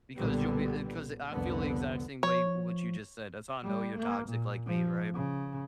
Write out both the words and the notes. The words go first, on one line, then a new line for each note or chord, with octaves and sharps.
because you'll be uh, 'cause I feel the exact same way what you just said. That's how I know you're toxic like me, right?
B1 A#2 D3 G3 B3
C2 F2 D3 B3
F3 C#5
G3
A#3
A#2
F3
C#3